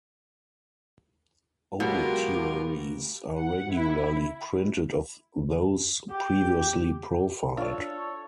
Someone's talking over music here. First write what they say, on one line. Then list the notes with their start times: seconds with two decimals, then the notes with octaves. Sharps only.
Obituaries are regularly printed of those previously profiled.
1.80 B2 F#3 G#3 F4 G4 A#4
3.39 F#5
3.73 E4
6.11 G4
7.57 D4 F4 A4 C#5